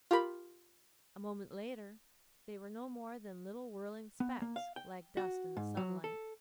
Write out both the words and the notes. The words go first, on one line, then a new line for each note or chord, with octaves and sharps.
A moment later they were no more than little whirling specks, like dust in the sunlight.
F4 G4 A#4 B5
B3
A#3
F5
G5
F#4
G#2
F#3
A4